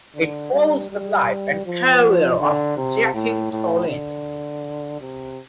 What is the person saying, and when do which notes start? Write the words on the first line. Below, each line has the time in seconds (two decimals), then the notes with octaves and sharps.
It follows the life and career of Jackie Collins.
0.15 D3
0.53 G3
0.91 G3
1.66 F3
2.40 D3
2.77 C3
3.14 A2
3.52 A2
3.89 D3
5.01 C3